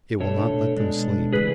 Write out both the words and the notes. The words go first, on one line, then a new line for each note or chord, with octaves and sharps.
It will not let them sleep.
B2 A3 D4 A4 C#5
B2 G#3 D4
C#3 E3 A3 G#4 B4